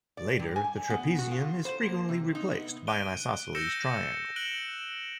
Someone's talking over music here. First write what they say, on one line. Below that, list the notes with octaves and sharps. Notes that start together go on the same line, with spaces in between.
Later, the trapezium is frequently replaced by an isosceles triangle.
D5
G2
G#5
B3
F#4
F4
C5
A#3
C3
D#4
B3
F#6 D7 D#7 G7
E6 G6 A#6 C#7 E7 G7
F#6 D7 E7 F#7 G7